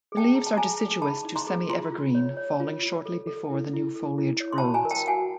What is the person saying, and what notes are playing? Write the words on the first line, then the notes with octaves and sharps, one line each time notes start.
The leaves are deciduous to semi-evergreen, falling shortly before the new foliage grows.
G#4
G5 A5
G#4 A#5
A5
G#4 G#5 A#5
G#4
D#4 A5 B5
D#4
A#5 C6
G#4
F4 A#5 C6
F4
C#5
C#5
F4
F4
A4
A4
E4
E4
A4
E4
C#5
C6
A5 B5
F#4
G#5 A#5
A#4
G5 A5
F#4 F#5 G#5